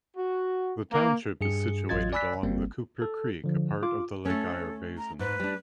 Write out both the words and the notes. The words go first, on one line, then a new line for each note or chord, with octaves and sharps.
The township is situated along the Cooper Creek, apart of the Lake Eyre Basin.
F#4
A#3
G2 G#4 C#7
A1 F#3 F4 D#5 G#6 A6
D5 G#5 B5 E6 F#6 B6
G1 G3 A#3 C4
A4
D3 F3
F4 D6
A3 C#4 A4
A#5
G#2 B4
G3 D4